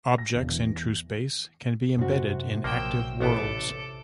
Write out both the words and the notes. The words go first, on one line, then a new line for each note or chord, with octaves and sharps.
Objects in trueSpace can be embedded in Active Worlds.
A#6
E1
E2
F#2 C3 F#4
A#1 F3 F#3 A#3 G5 E6
A1 B3 A4 D6